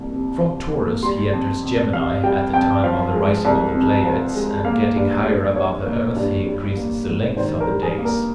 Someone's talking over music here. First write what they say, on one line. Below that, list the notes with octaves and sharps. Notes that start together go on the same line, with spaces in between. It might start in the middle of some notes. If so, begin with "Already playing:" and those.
From Taurus he enters Gemini at the time of the rising of the Pleiades, and, getting higher above the earth, he increases the length of the days.
Already playing: C2 A#3
C3
F3
A#3
G3 C6
F2
F2
C3 F5
G3 G5
F2 G5
F3 F5
G#3
C2
C3
F3
G#3
A#3 F5
G2
G2
F3 C#5
A#3
G2
G3
A#3
G#2
D#3 C5
A#4
G3
G#4
A#3
A#4